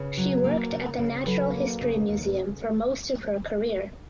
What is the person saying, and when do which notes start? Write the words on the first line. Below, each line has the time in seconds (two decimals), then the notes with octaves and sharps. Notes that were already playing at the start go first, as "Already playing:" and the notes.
She worked at the Natural History Museum for most of her career.
Already playing: C#3 B4
0.17 F#3
0.44 A#3
0.72 C#3
0.98 C#3
1.26 F#3 A4 B4
1.54 A#3
1.81 C#3
2.08 D#2
2.35 C#3